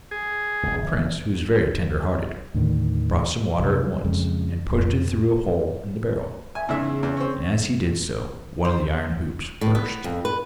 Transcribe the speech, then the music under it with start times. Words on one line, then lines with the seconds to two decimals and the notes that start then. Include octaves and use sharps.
The prince, who was very tender-hearted, brought some water at once, and pushed it through a hole in the barrel; and as he did so one of the iron hoops burst.
0.11 G#4
0.63 E1 C#2
0.77 G1 C3 E3
2.54 D#2 A2 D3 D#3
3.59 C2 F#2
3.86 G3
4.04 F2 C#3 G#3
4.71 F2
6.55 E5 G#5
6.69 E2 G#2 C#3 E5
7.03 E2
7.17 C4 C#4
8.65 C5
9.61 A2
9.75 B3
10.04 F2
10.25 B4